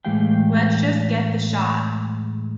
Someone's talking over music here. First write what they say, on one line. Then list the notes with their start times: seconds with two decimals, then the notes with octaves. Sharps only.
Lets just get the shot.
0.05 A2 E3 G#3 G4 F5 G5